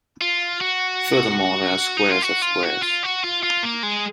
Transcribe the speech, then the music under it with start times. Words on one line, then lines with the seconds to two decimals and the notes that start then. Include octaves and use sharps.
Furthermore, they are squares of squares.
0.21 F4
0.61 F#4
1.98 D#4
2.10 F4
2.23 F#4
2.42 F4
2.63 F#4
2.83 F4
3.04 F#4
3.24 F4
3.43 F4
3.63 A#3
3.83 G#3